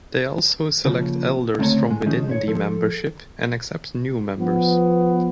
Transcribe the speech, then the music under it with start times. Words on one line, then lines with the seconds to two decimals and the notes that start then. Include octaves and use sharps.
They also select elders from within the membership and accept new members.
0.85 C#3 F3 A#3
1.58 D2 C#3 A3 C4 C#5 A#5
1.87 G#2 G#3
2.06 D#3 F3 G#3 C#4 D#4
2.28 G#2 B4 C#5
2.48 F3 A4
4.39 F3 B3